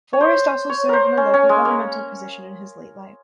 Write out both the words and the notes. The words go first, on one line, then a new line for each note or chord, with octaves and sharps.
Forrest also served in a local governmental position in his late life.
C#5
C5
C#5
A#4 C5
C#4
C#4
G#3
A#3